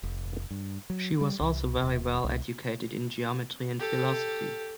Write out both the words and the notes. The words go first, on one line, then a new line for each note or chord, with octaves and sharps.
She was also very well educated in geometry and philosophy.
F1
G2
F#3
G3
C2
D#1
C2
G4 A4